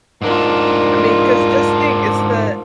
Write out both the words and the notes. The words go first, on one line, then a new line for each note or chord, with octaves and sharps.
I mean, 'cause just think, it's the
G#2 D4 F4 A#4